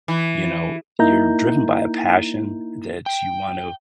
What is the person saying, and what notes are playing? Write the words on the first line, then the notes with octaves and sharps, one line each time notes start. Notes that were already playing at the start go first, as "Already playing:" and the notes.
you know, you're driven by a passion that you want to
E3
A#3 D#4 E4 A#5 G6
G5